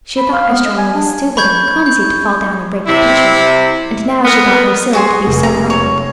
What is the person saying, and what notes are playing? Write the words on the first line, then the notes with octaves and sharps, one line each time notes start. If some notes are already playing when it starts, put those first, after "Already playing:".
She thought Estralla was stupid and clumsy to fall down and break the pitcher, and now she thought her silly to be so frightened.
B5
F5
B3
D#5
G#5
D4
B5 C#6 G6 G#6
G6
C3 E4
B3 A#4
F#4 G#4 C6
F1
A#5
C#5